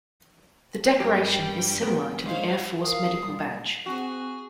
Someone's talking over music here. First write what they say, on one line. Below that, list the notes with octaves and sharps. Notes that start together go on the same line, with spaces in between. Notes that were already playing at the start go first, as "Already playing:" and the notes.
The decoration is similar to the Air Force Medical Badge.
G2 G3 G4 A#4 G5
B3 A#4
G#2 C5 C#5 F5
A#4 F5 D#6
A#2 G3
C4 F#4 G#4